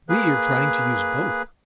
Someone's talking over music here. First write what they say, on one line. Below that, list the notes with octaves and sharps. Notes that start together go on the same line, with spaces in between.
We are trying to use both.
A#3 G#4 B4